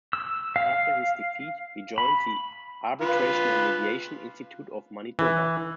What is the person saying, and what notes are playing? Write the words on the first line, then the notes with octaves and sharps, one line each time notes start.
After his defeat, he joined the "Arbitration and Mediation Institute of Manitoba".
E6
F5
B5
F4 B4
E3